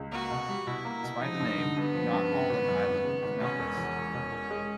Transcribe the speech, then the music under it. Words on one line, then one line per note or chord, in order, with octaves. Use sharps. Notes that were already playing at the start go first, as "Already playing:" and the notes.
Despite the name, not all of Highland is mountainous.
Already playing: C#2
A#3 F#4
B2
G3
B2 E4
A#3
B2
F3 D#4
G2
D3
G2 B3
F3
G2
C#3
G#1
F#2
G#1
C#3
G#1
B2 C#4
E1
E2
E1
B2
E1
G#3